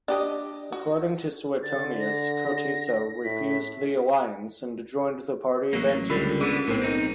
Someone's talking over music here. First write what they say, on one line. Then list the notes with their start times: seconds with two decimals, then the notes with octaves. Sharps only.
According to Suetonius, Cotiso refused the alliance and joined the party of Antony.
0.08 D4 G4 D#5
0.72 F#4
1.63 D3 A6
1.99 A#6
3.24 A2 B6
5.73 A1 F#3 A#3
6.10 C#2 D3 G3 F4 A#4
6.41 D3 B3 G#4 E6
6.68 B1 A2 C4 A#4 C5
6.82 C4 D#4